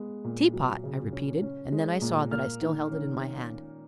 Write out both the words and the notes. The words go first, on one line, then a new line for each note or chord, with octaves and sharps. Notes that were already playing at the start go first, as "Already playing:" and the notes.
"Teapot?" I repeated, and then I saw that I still held it in my hand.
Already playing: G#3 B3
A#2
F#3
C#3
C#4
C#4
G#3
A#2
A#3 F6
D#3
C#4